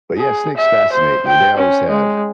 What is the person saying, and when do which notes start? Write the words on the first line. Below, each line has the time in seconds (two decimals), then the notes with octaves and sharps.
but, yeah, snakes fascinate me, they always have.
0.18 G#4
0.57 E5
0.93 C5
1.27 G5
1.57 C#4
1.89 G#3